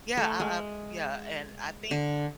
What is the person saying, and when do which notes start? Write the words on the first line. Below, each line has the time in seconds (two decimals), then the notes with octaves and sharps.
yeah, I I yeah, and I think
0.17 A3
0.40 G#3
1.91 D3